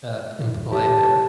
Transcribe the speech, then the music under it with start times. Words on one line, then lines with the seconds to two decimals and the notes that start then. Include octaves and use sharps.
uh, in play there.
0.72 G4 A5